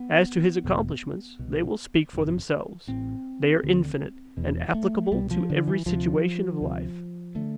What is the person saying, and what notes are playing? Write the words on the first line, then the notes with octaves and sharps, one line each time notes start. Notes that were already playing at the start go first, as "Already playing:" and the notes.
As to his accomplishments, they will speak for themselves; they are infinite, and applicable to every situation of life.
Already playing: B3
E1 E2 B2
C2 B2
G1 F2 C3
A1 A2 C4
D2 D3
E1 E2 B2
A3
C2 B2 G3
F3
D3
E3
D2 C3 F3
D2 C3
D3 A3